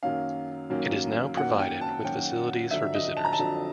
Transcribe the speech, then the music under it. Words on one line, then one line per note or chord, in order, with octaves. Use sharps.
It is now provided with facilities for visitors.
F#2 D#3 F#3 A#3 C#4 F5
F#2 D#3 F#3 A#3 C#4
F#2 D#3 F#3 A#3 C#4 F#5
G5
A5
F#2 D#3 F#3 A#3 C#4 G5
F2 D3 F#3 E5
D#5
A5
A#5
A5
F2 D3 F#3